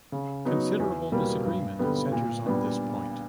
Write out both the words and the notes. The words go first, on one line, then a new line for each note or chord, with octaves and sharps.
Considerable disagreement centers on this point.
C#3
F#3 B3 D#4
E2
B2 G3 A#3
G2
D3 G3 B3
A#2
G3 B3 D4